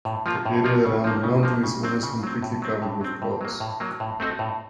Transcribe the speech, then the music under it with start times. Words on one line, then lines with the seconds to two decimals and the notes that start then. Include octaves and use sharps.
The area around the mountain is almost completely covered with grass.
0.05 A2
0.26 F3 A#3 F4
0.46 A2
0.64 F3 A#3 F4
0.85 C#3
1.04 F3 A#3
1.23 C#3
1.43 F3 A#3
1.64 C#3
1.83 F#3 C4
2.03 C#3
2.23 F#3 C4
2.42 A2
2.62 F#3 C4
2.82 A2
3.01 F#3 C4
3.22 A2
3.41 F#3 A#3
3.60 A2
3.80 F#3 A#3
4.00 A2
4.20 A3 C4 D#4 F#4
4.39 A2